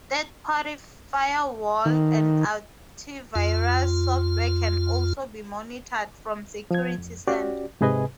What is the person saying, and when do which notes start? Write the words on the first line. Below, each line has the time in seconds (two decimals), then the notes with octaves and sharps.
Third-party firewall and antivirus software can also be monitored from Security Center.
1.85 D#3
3.35 F2 F4
6.71 F3 G#6
6.98 F2
7.27 C#4 F#4 G4 D5
7.81 G#2 C3 G#4 B4 D#5 G#5